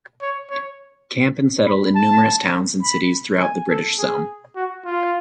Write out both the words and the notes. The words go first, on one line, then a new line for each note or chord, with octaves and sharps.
Camp and settle in numerous towns and cities throughout the British Zone.
C#5
C#5
B5
A5
B5
G#5
A4
G#4
F#4
F4